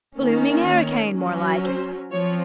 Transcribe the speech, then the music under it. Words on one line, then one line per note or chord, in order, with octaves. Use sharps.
Blooming hurricane, more like it.
D#3 A#3 C#4
C#5
F#3 C#4
C5
F3 C4 C#5